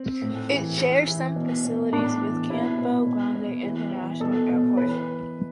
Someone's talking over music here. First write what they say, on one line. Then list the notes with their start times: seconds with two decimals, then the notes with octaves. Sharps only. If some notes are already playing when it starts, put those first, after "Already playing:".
It shares some facilities with Campo Grande International Airport.
Already playing: C4
0.22 A2
0.50 E3
0.79 E3
1.07 E3
1.36 B2
1.65 B2
1.92 A2 D4
2.21 E3
2.50 B2 E4
2.78 B2
3.06 B2
3.35 B2
3.63 E3
3.91 E3
4.20 B2 A4
4.49 B2
4.77 E3 B4